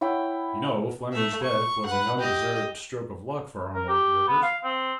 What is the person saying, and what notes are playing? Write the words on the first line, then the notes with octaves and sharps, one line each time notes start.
You know, Fleming's death was an undeserved stroke of luck for Arnold Rivers.
E4 C#5 F#5 G5
A3 E5
C#6
B4 F#5
G4 D#5
A#4
G4
B3
F5
C4